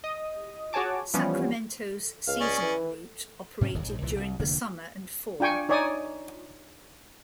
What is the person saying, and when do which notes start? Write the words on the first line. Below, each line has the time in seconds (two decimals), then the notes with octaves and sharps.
Sacramento's seasonal route operated during the summer and fall.
0.04 D#5 D#6
0.73 F#4 G#4 C#5 G#5 A5 D6
1.14 E3 F3 G3 B3 C#4
2.27 C#2 F5
2.41 C#4 G#4 D5
2.62 E3
3.61 G#2 C3 F#3 C#4
3.74 D1 G#1 D#2
3.86 A#1 G#2
4.02 C2 A#2 E3
4.16 C2
4.39 F1 D2 D3 A#3
5.40 D4 F4 G5 G#5 C#6
5.69 D#4 C#5 D5 G#5 D#6